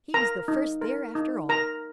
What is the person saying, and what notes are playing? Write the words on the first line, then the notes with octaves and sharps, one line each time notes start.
He was the first there after all.
A#4 A#5
D#4
A#4
D#4
A#4 A#5